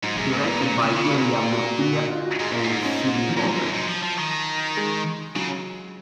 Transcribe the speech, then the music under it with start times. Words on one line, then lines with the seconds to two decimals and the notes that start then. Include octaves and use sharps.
Directed by Ilya Motyleff and Sidney Goldin.
0.03 G#2 F#3
0.18 F#2 G#3
0.32 G#2 A#3
0.47 A#2 B3
0.62 A#2 C#4
0.82 C#3
0.92 F4
0.96 D#3
1.02 C#3 F#4
1.13 B2
1.21 A#2 G#4
1.51 F#4
1.80 F#4
1.95 D#4
2.10 F4
2.25 F#4
2.40 G#2 G#4
2.52 F#2 F4
2.64 G#2
2.69 D#4
2.85 C#4
3.29 F3
3.37 A#2
3.44 G#2 F#3
3.59 F#2
3.73 G#2
3.88 F3
4.03 F3
4.18 D#3
4.77 G#3
5.36 C#3 F#3